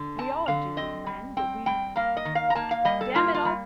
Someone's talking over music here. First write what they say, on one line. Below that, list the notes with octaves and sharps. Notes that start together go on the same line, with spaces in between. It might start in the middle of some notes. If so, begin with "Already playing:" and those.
We all do, we men, but we--damn it all!
Already playing: D3
C4 A5
D3 F5
C4 D#5
G3
C4 G5
G3 G5
A#3 F5
D#5
D#3
F5
A#5
A#3 A5
F5
G3 D#5
A4
A#3 F4
F4
G3